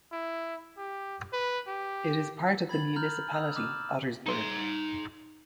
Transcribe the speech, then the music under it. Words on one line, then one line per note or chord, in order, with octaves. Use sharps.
It is part of the municipality Ottersberg.
E4
G4
B4
G4
B5 G#6 A6 F#7
A#5 F6 G6
D#6 E6
D6 F6 E7
D#4 C6